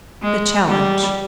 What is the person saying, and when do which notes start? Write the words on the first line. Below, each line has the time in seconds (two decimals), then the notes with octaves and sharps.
The Challenge.
0.23 G#3
0.68 G3